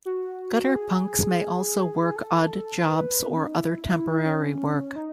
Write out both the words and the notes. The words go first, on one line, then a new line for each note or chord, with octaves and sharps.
Gutter punks may also work odd jobs or other temporary work.
F#4
F#4
G#4
A4
B4
B3
C#4
D#4
E4
C#4
D#4